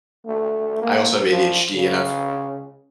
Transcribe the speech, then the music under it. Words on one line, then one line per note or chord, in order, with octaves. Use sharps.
I also have ADHD, and I've,
A3
A#3
F3
C#3